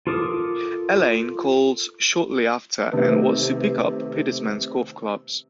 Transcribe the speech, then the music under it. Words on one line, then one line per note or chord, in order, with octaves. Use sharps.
Elaine calls shortly after and wants to pick up Peterman's golf clubs.
F4 A4 A#4 D6 D#6
C3 D#3 A3 B3